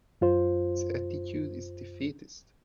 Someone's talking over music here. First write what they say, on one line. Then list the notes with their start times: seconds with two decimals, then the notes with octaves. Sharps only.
His attitude is defeatist.
0.21 F#2 F4 C5